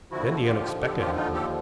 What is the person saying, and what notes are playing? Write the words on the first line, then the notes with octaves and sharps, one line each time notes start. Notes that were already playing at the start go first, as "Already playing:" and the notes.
Then the unexpected happened.
D#2 D3 F3 E4 F#4
F4 G4
G4 A4
F4 G4
D#4 F4
G4 A4